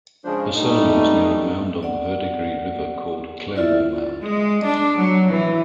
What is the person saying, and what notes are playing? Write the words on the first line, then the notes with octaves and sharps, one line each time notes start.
Pasona was near a mound on the Verdigris River called Claremore Mound.
C#3 F3 G#3 D4 C5
B2 G3 A3 D#4
D5 F#5
E4 F4 D5 E5
G#3
D4
F#3
E3